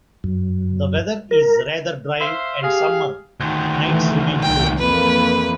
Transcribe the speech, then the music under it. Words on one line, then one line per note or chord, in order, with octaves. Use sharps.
The weather is rather dry and summer nights remain cool.
F#2
A#4
C5 E5 F5
G4 G#4 F5
D2 D#3
E3 A3
C2 G5
F2 E3 A#3 B4